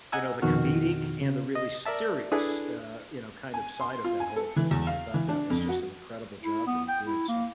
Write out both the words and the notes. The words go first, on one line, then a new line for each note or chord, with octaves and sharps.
you know, the comedic and the really serious, uh, you know, kind of side of that whole thing, and I thought that was just an incredible job that he did, so.
D#5 F#5 G#5 A#5 E6
F2 B2 D#3 D#4 F#4 F6
C#3
D#5
A#4 D5 E5 A5
D4 E4 G#4 A4 B4
G#5
C6
F4
G#5
A4
E3
E2
F5
E3
D4
F2
F#4
E4
B3
G5
E4
A#3